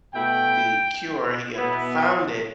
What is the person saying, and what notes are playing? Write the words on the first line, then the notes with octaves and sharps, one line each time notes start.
the cure he had found it,
B2 A3 E4 G5
B2 B3 E4